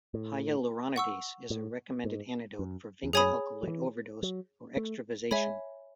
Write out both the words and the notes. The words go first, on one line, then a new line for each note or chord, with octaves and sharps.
Hyaluronidase is a recommended antidote for vinca alkaloid ovderose or extravasation.
A2
F#5 C#6 E6
A2
G#2
F#2
E2
F#2 G#4 C#5 G#5 B5 D#6
F#3
E3
F#3
A3
G#3 C#5 E5 G#5 B5